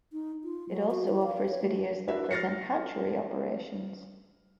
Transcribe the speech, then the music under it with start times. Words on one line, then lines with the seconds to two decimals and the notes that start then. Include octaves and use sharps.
It also offers videos that present hatchery operations.
0.12 D#4
0.44 F4
0.69 F#3
0.91 F#4
1.08 E4
1.22 F5
1.48 C#5
1.63 A3
2.08 D4 E4 F#4 A#4 B4 E5
2.31 F6 A6 A#6 C7 C#7